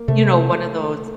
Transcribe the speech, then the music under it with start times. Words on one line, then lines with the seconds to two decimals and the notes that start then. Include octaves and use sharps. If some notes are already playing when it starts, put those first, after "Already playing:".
you know, one of those,
Already playing: A#3
0.08 C3 A3